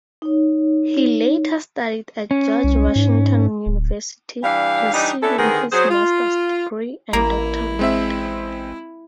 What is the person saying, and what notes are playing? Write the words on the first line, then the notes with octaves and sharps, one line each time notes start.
He later studied at George Washington University, receiving his master's degree and doctorate.
D#4 C#5
C#4
C2
G#2
D1
E3 G3 D4 F5
E3 G3 D4 D#4
B3 C#4 D4 E4 A4
D3 D#3 B3 C4 G#4 A#4
F#3 G#4 C5
F4
A1 A#3 E4 A#5
G#3 C4 E5